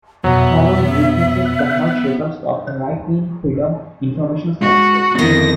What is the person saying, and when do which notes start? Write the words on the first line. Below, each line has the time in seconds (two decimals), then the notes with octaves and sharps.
Howard witnesses the harsh results of the right-wing Freedom Information Services.
0.24 F2 B2 F#3 B3 E5
4.61 G#3 F#4
5.18 F2 D3 D#3 A#3 B3 E4 A#6